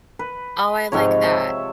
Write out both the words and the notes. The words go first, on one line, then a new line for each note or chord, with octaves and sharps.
Oh, I like that.
B4
G#2 C3 F3 C#5
E5 A5